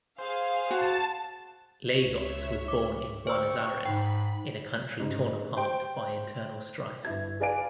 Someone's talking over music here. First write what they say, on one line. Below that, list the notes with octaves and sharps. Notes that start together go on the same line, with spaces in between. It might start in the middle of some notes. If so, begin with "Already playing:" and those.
Lagos was born in Buenos Aires in a country torn apart by internal strife.
G#4 C5 F5
F#4 A5
C#2 C#5 E5
D6
D3 C5 G5 C#6 E6
G#2 G5 B5
G#2 C#3
C5 G5
G1 E4 G#6
G#4 B4 D5 F5 G#5 D7